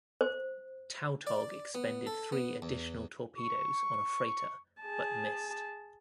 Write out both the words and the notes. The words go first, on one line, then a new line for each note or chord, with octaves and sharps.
"Tautog" expended three additional torpedoes on a freighter, but missed.
C5
D5
B3
A4
B3
E2
C#6
G#4 A5